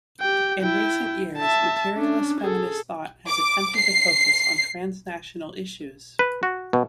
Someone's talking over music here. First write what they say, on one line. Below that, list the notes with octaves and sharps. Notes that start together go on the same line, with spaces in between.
In recent years materialist feminist thought has attempted to focus on transnational issues.
G4 G5
E4 G5
E5 A5
C#4 D4
G#4 A4
D6
C7
B4
F#4
B2